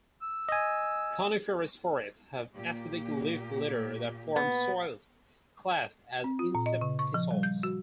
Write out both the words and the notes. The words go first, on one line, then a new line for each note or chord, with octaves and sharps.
Coniferous forests have acidic leaf litter that form soils classed as inceptisols.
E6
D#5 G#5
A#2 A#3 G4
B3
C4
F4
A#2
D#5
C#3
C#6
F3
G3
G6
F#4